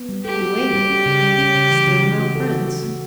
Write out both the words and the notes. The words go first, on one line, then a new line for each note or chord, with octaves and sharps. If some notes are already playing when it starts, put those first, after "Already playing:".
He waited; still no prince.
Already playing: B3
G3
G4 A4
F#4
F#4
G3
C#4
C#3
G3
C#4
C#3
E3
C#3
E3
F#4
A4
F#4
F#4
A3